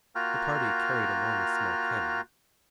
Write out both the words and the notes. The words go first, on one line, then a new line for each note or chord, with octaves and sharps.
The party carried along a small cannon.
A#3 F4 F#4 G5 A#5 F6